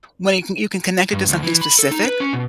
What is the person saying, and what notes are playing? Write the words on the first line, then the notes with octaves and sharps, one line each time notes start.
when you can you can connect it to something specific,
G2
D2
E3
B5
A4
D#4
B4
C#4
B2